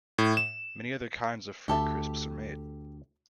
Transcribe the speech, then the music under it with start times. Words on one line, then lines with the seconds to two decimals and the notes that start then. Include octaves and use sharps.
Many other kinds of fruit crisps are made.
0.18 A2
0.37 E7
1.68 D2 G4 A4 E5